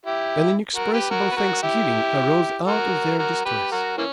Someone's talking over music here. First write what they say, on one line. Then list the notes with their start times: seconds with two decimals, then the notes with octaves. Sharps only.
An inexpressible thanksgiving arose out of their distress.
0.06 E4 G4
0.76 F#4 A#4
0.93 G4 B4
1.10 F#4 A#4
1.32 B4
1.36 F#4 A#4
1.63 E4 G4
2.67 F#4 A#4
3.18 F#4 A#4
3.45 G4 B4
3.72 F#4 A#4
3.97 E3 A#3 C#4